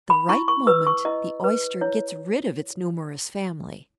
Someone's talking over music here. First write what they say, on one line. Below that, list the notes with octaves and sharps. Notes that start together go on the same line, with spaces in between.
At the right moment, the Oyster gets rid of its numerous family.
B5
E4 C#6
C#6
B4 E6
C#6
E4 D#5
B4
E4 C#5